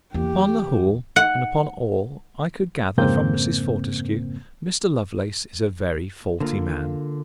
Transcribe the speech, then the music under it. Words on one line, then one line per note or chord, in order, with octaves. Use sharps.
Upon the whole, and upon all I could gather from Mrs. Fortescue, Mr. Lovelace is a very faulty man.
E2 A#3 G4
F#5
F2 G#2 C#3 A#3 C4 G6
D3 A#3 F4